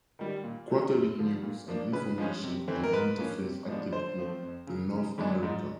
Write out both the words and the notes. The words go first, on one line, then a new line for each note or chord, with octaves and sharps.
Quarterly news and information on interfaith activity in North America.
D#3 G3
A#2
F#3 A3 D4
F#2
D3 F3
A#2
F3 A#3 D4
C#3 B4
F3 G#3 C#4
C3
E3 A3 C4
A#4
G#2 B4
F3 A#3 C#4
C3
F3 G#3 B3 D4
D3 C5
F3 A3 C4
F2
C#3 F#3
C#3
E3 G#3 B3 D4
G#2